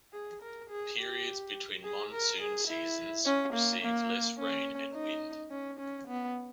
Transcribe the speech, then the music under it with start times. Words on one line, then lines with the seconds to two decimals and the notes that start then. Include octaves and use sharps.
Periods between monsoon seasons receive less rain and wind.
0.13 G#4
0.42 A#4
0.70 G#4
0.99 G4
1.83 G#4
2.11 A#4
2.41 G#4
2.68 E4
3.26 C#4
3.53 A#3
3.81 A#3
4.38 C#4
4.94 D#4
5.51 C#4
5.80 C#4
6.08 B3